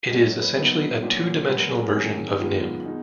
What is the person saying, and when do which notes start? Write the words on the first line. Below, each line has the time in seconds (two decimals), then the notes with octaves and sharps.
It is essentially a two-dimensional version of Nim.
0.10 G#2 F#3 A#3 C#4 D#5
0.26 C#5
0.41 B4
0.56 B2 F#3 A#3 D#4 B4
1.02 A#2 F#3 C#4
1.48 A#2 F#3 C#4 B4
1.57 A#4
1.68 G#4
1.78 A#4
1.93 F2 D#3 F#3 C#4 G#4
2.28 D#4
2.38 F#2 D#3 G#3 B3 F4
2.85 B2 G#3 D#4 F#4